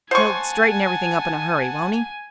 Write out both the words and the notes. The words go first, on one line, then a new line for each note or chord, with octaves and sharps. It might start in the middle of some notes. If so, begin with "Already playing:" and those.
"He'll straighten everything up in a hurry, won't he?"
C5 F#5 G#5 A5 C#6